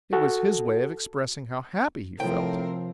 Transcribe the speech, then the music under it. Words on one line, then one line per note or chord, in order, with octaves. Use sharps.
It was his way of expressing how happy he felt.
F#4 A4
A2 C3 F3 C4 A#4 G5